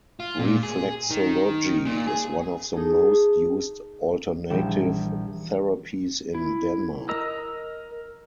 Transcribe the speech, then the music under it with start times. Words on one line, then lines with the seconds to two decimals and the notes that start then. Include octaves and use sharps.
Reflexology is one of the most used alternative therapies in Denmark.
0.20 F4
0.39 A#2
0.63 G#4
1.10 D#3
1.85 A#2
2.07 G#4
2.73 D#4 G#4 A4
4.50 A#1 E3 G3 G5 C#7 E7
6.35 E4
7.09 A#4 D#5 A#5 E6